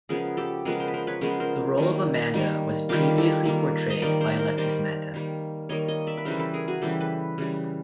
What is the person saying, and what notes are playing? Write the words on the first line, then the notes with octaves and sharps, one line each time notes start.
The role of Amanda was previously portrayed by Alexis Manta.
C#3 F3 G#3 B3 G#4 A#4
G4 A4
C#3 F3 G#3 B3 G#4 A#4
A#4 C5
B4
A#4 C5
B4 C#5
C#3 F3 G#3 B3 A#4 C5
A#4 C5
D#3 G3 A#3
D#3 G3 A#3
D#3 G3 A#3 F4 G4
G4 A4
D#3 G3 A#3
D#5
D#3 G3 A#3 C5 D5
A#4 C5
A#4 C5
D#3 G3 A#3 C5 D5
D#3 G3 A#3
D#3 G3 A#3 C#5 D#5
C#5 D#5
D5 E5
B4
C#3 E3 G3 A#4 C5
A4 B4
G#4 A#4
F#4 G#4
C#3 E3 G3 G4 A4
A4 B4
C#3 E3 G3